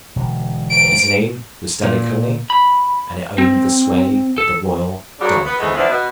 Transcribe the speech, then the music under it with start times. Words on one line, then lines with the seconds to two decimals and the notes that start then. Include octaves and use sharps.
Its name was Stadacone, and it owned the sway of the royal Donnacona.
0.16 E1 B2 D3
0.71 D7
1.84 A#2
2.50 B5
3.38 C4
4.38 A4
5.20 F#2 C#3 G3 D4 F#4
5.46 B3
5.59 E3 G#3 A3 B3 C4
5.74 D3 E3 F3 B3 D4
5.89 B2 B3